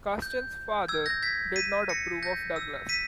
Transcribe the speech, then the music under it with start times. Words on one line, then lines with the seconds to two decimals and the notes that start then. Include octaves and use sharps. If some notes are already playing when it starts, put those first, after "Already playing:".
Custance's father did not approve of Douglas.
0.22 G6
0.88 E6 G#6
1.06 G6 A#6
1.22 G#6 B6
1.56 B6 D#7
1.89 A#6 C#7
2.23 G6 A#6
2.56 E6
2.89 B6 D#7